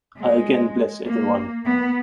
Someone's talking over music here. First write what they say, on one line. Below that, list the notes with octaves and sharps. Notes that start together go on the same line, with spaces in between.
I again bless everyone.
G#3
A#3
B3